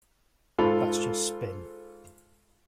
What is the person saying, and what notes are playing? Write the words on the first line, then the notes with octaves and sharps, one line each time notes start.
That's just spin.
G#2 F4 A4 F5 B5